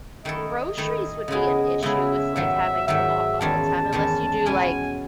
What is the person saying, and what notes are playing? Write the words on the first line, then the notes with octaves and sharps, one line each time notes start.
Groceries would be an issue with, like, having to walk all the time, unless you do, like,
D#3 A3 E4 A4 D#5
D#3 A3 E4 A4
C#3 G#3 B3 E4 G#4
C#3 G#3 B3 E4 G#4 E5
G#2 D#3 F#3
G#2 D#3 F#3 E5
E2 D#3 G#3 C#4 A5
E2 D#3 G#3 C#4
B2 G#3 C#4 E4 G#5